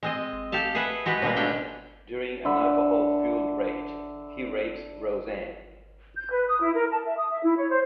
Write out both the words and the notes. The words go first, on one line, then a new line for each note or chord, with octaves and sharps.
One night during an alcohol-fueled rage, he rapes Roseanne.
G#3 C4 D#5
G4 A4 F5 A5
G#4 A4 B4 E5 F#5
G#3 F#4 G4 B4
B2 G3 G#3 A#3
G3 A3 C#4 D4 G5
D3 E5 B5
G6
B4
D#6
E4
A#4
A5
E5
D#6
E5
E4
C#5
C5